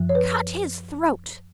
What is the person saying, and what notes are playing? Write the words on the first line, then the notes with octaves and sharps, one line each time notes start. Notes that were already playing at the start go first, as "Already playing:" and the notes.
"Cut his throat."
Already playing: F#2 F3
C#5
B4